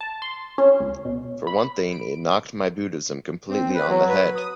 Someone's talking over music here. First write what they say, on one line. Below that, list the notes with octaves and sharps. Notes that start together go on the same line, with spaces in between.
For one thing, it knocked my Buddhism completely on the head.
A5
C6
C#4
C#2
B2
B5
D7
C4
B4
F#3
B4
D#6